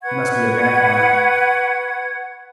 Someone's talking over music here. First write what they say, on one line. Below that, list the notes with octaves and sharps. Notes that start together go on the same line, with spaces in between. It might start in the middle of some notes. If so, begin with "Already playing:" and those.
"He must be a vampire."
B4 F#5 C#6 G#6